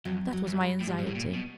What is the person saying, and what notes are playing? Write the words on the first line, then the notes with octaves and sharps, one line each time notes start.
That was my anxiety.'
F2 F#3
F#3
F#2
G3
A2
G#2 G3
G#2
A2
A#2
B2